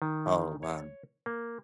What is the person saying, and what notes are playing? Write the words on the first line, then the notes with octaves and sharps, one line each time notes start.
Oh, wow.
D#3
C#5
A#3